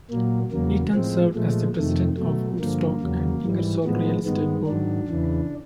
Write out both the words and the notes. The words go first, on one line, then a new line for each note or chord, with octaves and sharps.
Eaton served as the President of Woodstock and Ingersoll Real Estate Board.
A#2 F#3 A#3
E2 C#3 F#3 A#3
A2 F3 G#3 C4
A#2 F3 G#3 A3
F2 C3 D#3 A3
B2 F#3 A3
G2 D3 F3 A#3
E2 C#3 F#3
G#2 E3 G3
A2 F3 G#3 B3
G2 D#3 G#3 B3
G#2 D#3 F#3 D4
E2 C#3 E3